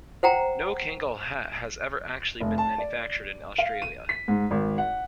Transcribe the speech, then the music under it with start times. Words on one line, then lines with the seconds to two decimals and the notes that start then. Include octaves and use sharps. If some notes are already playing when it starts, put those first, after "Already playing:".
No Kangol hat has ever actually been manufactured in Australia.
0.23 C5 F#5 G5 A#5
2.40 F1
2.58 A5
2.78 D5
3.58 F5
3.82 D#7
4.09 B6
4.28 G#2
4.51 G#1
4.78 F#5